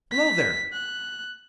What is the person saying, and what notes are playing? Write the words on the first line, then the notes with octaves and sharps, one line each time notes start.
Below there!
B6
F#6